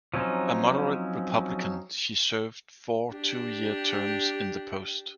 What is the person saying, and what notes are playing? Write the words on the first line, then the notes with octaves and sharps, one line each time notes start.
A moderate Republican, she served four two-year terms in the post.
F3 F#3 C4 C#4 D#4
D4 G4